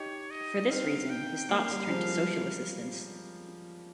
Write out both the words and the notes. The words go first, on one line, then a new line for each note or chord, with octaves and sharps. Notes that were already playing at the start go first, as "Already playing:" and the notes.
For this reason, his thoughts turned to social assistance.
Already playing: D#4 G4 C#5
D#5
C4 D#4 F5
G5
A#3 C#4 F5
G3 A#3
F3 G#3